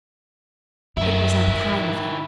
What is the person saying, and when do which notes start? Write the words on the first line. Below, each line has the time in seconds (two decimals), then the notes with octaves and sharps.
It was unkind of him.
0.97 F#2 D#3 E4
1.47 G#2